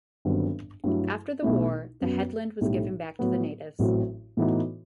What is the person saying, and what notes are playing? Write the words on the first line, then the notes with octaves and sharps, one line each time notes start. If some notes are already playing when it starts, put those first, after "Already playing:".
After the war, the headland was given back to the natives.
G1 G2 D#3 F#3 C4
G2 F#3 A3 E4
B1 B2 A3 E4
F#2 F#3 B3
B1 A2 G3
A2 F#3 B3
A1 A2 F#3 C4 F#4
A2 E3 B3 D#4 F#4